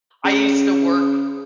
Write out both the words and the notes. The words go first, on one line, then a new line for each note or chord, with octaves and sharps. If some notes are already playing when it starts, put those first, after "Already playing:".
I used to work
C#3